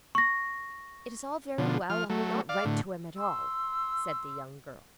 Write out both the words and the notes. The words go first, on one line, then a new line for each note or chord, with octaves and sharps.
"It is all very well--I will not write to him at all," said the young girl.
C#6 A#6
B2 D3 F3
F3 F6
F#3 A3
D5 F5
A2 D3
C6 E6